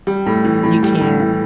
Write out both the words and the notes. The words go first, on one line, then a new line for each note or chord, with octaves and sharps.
You can't.
G3
A2
E3
A2
G3
A2
E3